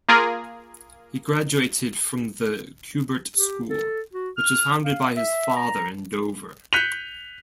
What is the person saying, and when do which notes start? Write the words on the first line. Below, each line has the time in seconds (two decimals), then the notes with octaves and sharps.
He graduated from The Kubert School, which was founded by his father in Dover.
0.09 A#3 F4 G#4 A#4
3.37 G4
3.70 A4
4.13 F#4
4.37 F6
4.84 F5
5.17 E5
5.57 A#5
6.73 F#6 G6 B6 C#7 D#7 F7